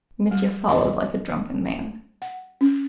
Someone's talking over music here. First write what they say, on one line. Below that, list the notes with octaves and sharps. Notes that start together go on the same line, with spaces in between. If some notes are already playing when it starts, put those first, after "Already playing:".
Mitya followed like a drunken man.
G3
D#5
F#5
C#4